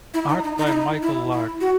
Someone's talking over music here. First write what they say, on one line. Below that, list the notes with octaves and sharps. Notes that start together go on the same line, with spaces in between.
Art by Michael Lark.
E4
D#4
D#4
D#4
E4
D#4
E4
E4
F#4